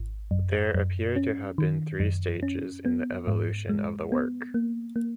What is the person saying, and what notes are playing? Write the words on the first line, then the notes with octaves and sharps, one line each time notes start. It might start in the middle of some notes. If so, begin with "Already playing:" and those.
There appear to have been three stages in the evolution of the work.
Already playing: G#1
F#2
F#2
C#4
D#3
F#2
C#4
B3
G#2
G#3
B3
A#3
A#3